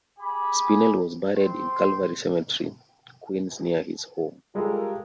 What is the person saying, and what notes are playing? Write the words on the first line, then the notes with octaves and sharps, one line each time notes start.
Spinell was buried in Calvary Cemetery, Queens near his home.
G4 G#4 G#5 B5 D6
C4 G5 C6
G3 G#3 F4 G4 A4 A#4